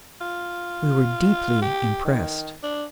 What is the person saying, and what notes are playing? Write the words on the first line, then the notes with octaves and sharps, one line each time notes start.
We were deeply impressed.
F4
G4
D#3
D4